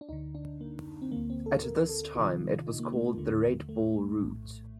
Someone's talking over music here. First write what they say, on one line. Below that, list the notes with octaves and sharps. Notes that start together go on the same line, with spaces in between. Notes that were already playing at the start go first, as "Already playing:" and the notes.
At this time it was called the Red Ball Route.
D4
D2 D3 D#4
D4
A#3
C4
D2 D3 A#3
C4
A4
A#4
A4
C2 C3 D#3 F4
D#4
A#3
A3
A#3
D#2 D3 A3
A3
A#1 A2